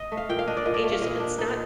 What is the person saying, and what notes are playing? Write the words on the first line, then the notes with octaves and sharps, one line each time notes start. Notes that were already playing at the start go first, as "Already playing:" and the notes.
ageism it's not
Already playing: D#5
A3
F5
A#2 G5
F5
D4 D#5
D5
A#2 D#5
D5
A3
F5
A#2 D#5
D4
D#4